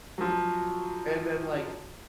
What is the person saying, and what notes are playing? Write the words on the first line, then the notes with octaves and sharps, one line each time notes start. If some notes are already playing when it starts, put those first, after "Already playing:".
and then, like
F3 F#3